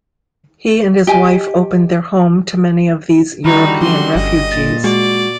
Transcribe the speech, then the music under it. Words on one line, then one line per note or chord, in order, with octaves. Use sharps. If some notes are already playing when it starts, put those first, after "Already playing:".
He and his wife opened their home to many of these European refugees.
G4 D#5 G#5
D3 D#3 G3 D#4 E4 F#4 B5 C#6
F3 C#4 C6
G1 D#5
A#2 A6
G#3 F#4 D5